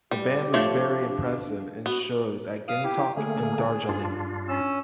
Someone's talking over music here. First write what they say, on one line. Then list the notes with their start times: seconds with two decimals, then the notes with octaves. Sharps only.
The band was very impressive in shows at gangtok and darjeeling.
0.11 G3 G4
0.54 F3 A3 D4 C#5
1.86 B3 F#4
2.68 F5 D#6
2.84 E4 G4
3.17 D3 A3 A#3 G#4
3.89 G2 D4 F4
4.48 C#4 E6